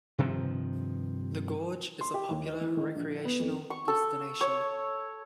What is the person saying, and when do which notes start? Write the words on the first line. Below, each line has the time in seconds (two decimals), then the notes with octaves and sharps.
The gorge is a popular recreational destination.
0.18 G2 C3 D#3 F3
2.01 C6
2.14 G4
2.31 D#2
2.45 D#4
2.61 E3
2.77 D#3
2.96 A#1
3.25 B3
3.40 F2
3.70 C#6
3.88 A4
4.41 C#5